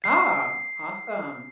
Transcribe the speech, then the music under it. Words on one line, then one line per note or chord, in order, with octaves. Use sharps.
Oh, awesome.
C7